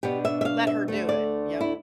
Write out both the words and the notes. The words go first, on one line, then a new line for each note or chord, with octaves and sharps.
Let her do it, yep.
B2 B3 D4 G4
E5
E5
F5
E5
D2 D3 A3
D5
E4